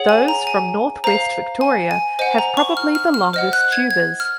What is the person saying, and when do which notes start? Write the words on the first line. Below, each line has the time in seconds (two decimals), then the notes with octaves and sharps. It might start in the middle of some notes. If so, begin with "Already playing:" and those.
Those from northwest Victoria have probably the longest tubers.
Already playing: G#4 C#5 F#5
0.09 G#5
0.28 A#5
0.47 G#5
1.04 C5 F5 A#5
1.61 G#5
1.91 G#5
2.19 C5 D#5 F#5 G#5
2.38 A#5
2.57 C#6
2.77 F6
2.95 F6
3.14 F6
3.33 C5 D#5 F#5 F6
3.53 F#6
3.72 G#6
3.91 G#6
4.20 F6